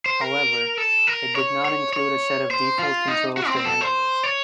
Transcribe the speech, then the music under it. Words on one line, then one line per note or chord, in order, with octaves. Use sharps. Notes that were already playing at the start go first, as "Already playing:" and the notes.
However, it did not include a set of default controls to handle this.
C5
A#4
A4
A#4
C#5
C#5
C#5
C5
F4
D#4
F#4
C4
C4
A4
C5
C#5